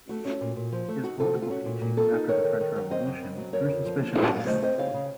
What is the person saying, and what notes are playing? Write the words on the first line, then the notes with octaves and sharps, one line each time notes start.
His political teaching, after the French Revolution, drew suspicion on him.
A3 F#4
C#4
A#2
A#2
F3
A3
D#4 F#4
C3 F4 A4
A3 F#4
F4
C#4 F#4
A#2
A#2
A#3 F4 A4
D#4
D#3 A#4 C#5
D#3
D#3
F#3
C4 C5 D#5
F#2
C#3
F#3
F2 A#4 C#5
F2
F3
A#3
A#2
A5
A#2 F#5
F5
A3 C5 D#5
C4 C5 D#5
C#3 C#5 F5
C#3